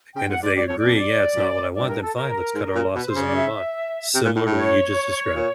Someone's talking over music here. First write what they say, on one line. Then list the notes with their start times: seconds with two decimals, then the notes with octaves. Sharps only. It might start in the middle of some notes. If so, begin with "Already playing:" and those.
and if they agree, "Yeah, it's not what I want," then, "Fine, let's cut our losses and move on," similar to what you just described.
0.15 C#3 G5
0.29 G#2 F#5
0.42 G#2 D5
0.55 G2 D5
0.67 F2 C#5
0.77 F2 D5
0.95 D5
1.35 F#2
1.75 G2 D5
1.88 A#4
2.02 A4
2.16 A#4
2.55 G#2
2.75 A#2
2.95 B2 B4
3.08 C5
3.15 C#3
3.22 D5
3.35 E5
4.14 C3
4.25 A#2
4.36 A2
4.46 A2
4.55 C#5
5.35 A#2